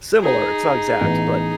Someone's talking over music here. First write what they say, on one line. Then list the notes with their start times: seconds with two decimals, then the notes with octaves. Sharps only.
similar, it's not exact, but
0.20 D#4 G#4
1.01 A1 E3 B3